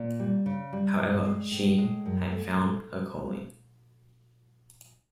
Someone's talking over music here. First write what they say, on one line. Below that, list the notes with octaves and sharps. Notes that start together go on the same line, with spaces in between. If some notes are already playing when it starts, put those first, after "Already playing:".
However, she had found her calling.
Already playing: A#2
G3
C#3
G3
G2
G#3
A2
G#3
F#2
A3